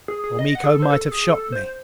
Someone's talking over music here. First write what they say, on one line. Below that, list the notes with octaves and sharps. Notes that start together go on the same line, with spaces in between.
Or Miko might have shot me.
G#4
G#4
D#5
F#5
G#4
A4
C5
A4
G#4
A4
C5